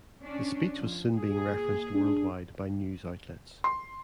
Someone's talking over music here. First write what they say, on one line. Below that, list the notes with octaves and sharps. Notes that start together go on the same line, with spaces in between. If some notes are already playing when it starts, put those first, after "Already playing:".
The speech was soon being referenced worldwide by news outlets.
C#4 D4
F3
A#2 G#4
D4
C6